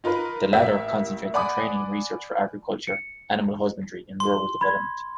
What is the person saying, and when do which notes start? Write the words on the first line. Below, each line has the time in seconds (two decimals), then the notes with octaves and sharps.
The latter concentrates on training and research for agriculture, animal husbandry and rural development.
0.04 D#4 F4 A#4 B4
0.53 A1 A#3 E5
1.34 D5 F#5 G#5 B5 D6 D#6
2.87 C#7
4.20 C6
4.61 B5 G#6